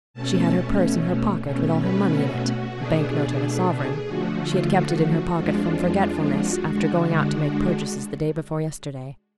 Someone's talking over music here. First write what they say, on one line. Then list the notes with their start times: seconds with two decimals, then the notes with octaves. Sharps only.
She had her purse in her pocket, with all her money in it,--a bank-note and a sovereign; she had kept it in her pocket from forgetfulness, after going out to make purchases the day before yesterday.
0.14 B2 A3 C#4 A5
1.45 B2 A3 C#4
1.77 B4
2.11 F#4
2.43 F#4
2.75 B2 A3 D4 G#4
3.74 G#4
4.07 D3 F3 A3 F#4
4.38 F4
4.72 F#4
5.04 F#4
5.37 F2 F3 G#3 D4 F4
5.70 F4
6.36 F#4
6.68 D3 G#3 D4
7.00 F#4